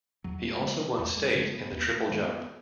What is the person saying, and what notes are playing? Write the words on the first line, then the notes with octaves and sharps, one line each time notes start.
He also won state in the triple jump.
E2 F#3
A3
C#3 G#3 B3
E2 A3
G#3
C#3 G#3 A3 B3
B3
D#2 B3
G#3
A3
D#3 G#3 B3
B3